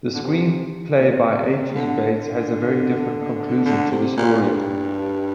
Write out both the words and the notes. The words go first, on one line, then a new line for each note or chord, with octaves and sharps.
The screenplay by H. E. Bates has a very different conclusion to the story.
D3
C3
A#2
C3
D3
D3
D3
C3
A#2
G2